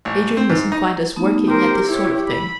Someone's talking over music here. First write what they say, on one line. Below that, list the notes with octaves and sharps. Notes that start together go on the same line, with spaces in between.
Adrian mustn't find us working at this sort of thing.
A1
C4
G#2
D#4
A3 B3 D#4
G4 A#4 C5
E4 C#5 E6
B5